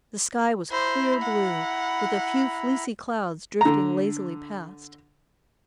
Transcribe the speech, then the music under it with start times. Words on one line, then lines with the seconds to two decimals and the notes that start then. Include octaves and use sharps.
The sky was clear blue, with a few fleecy clouds drifting lazily past.
0.72 E4 C5 A#5 B5
1.23 F#5
3.61 D3 A#5